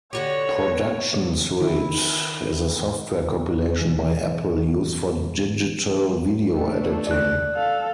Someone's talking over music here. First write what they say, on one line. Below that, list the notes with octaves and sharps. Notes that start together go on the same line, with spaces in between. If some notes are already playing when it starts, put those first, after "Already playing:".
Production Suite is a software compilation by Apple used for digital video editing.
D3 F#4 G4 C#5
D#3 E4
B2 E3 G#4
A3 D4
D5 F#6
A4 F5